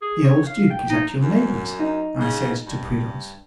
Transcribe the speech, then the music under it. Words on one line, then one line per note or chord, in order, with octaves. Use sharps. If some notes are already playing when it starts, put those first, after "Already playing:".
"The old duke is at your neighbours," I said to Prudence.
G#4
C#5
F5
G5
D#4
F#2
D#4
C#3
G2